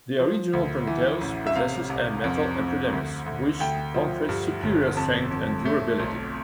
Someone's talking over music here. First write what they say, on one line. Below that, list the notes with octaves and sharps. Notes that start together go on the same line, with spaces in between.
The original Prometheus possesses a metal epidermis, which confers superior strength and durability.
F3
D2
E3
A1
E5
C3 F5
C2
F2
F2
D2
D2
D2 G5
F3
G2
G1
F2 A5
F2
A3
B1